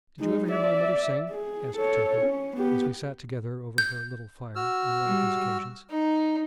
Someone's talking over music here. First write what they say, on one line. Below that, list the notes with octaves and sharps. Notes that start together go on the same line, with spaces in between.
"Did you ever hear my mother sing?" asked Turkey, as we sat together over her little fire, on one of these occasions.
G#3 D#4
D5 E5
G#4
A4 C#5
C#4
B3 G4
G6
F#4 E6 F6
G3
D#4